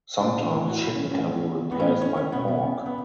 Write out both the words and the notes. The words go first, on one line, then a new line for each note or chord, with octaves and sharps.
Sometimes chicken can be replaced by pork.
D4
A2 E3
F#4
E4
C#4
A2 E3 C#4
A2 E3 B3 C#4
B3
C#4
C#4
B2 B3
B3
C#4
B3